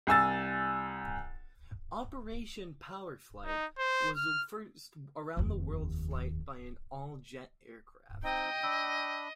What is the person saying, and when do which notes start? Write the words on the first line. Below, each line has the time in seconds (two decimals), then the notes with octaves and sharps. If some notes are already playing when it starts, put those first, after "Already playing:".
"Operation Power-Flite" was the first around the world flight by an all-jet aircraft.
0.07 C2 G#5 E6 A6
3.46 D#4
3.78 C5
4.16 F6
5.37 F1 D#2
8.23 C4 D#4 D#5 G5
8.63 D4 B5 E6